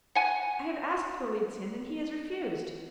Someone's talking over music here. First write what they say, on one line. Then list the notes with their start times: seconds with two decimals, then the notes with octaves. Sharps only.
I have asked Golitsyn and he has refused.
0.15 F#5 G#5